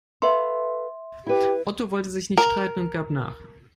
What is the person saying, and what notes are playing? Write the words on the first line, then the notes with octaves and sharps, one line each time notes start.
Otto wollte sich nicht streiten und gab nach.
A4 B4 E5 F5 C6
E4 G4 B4
A#4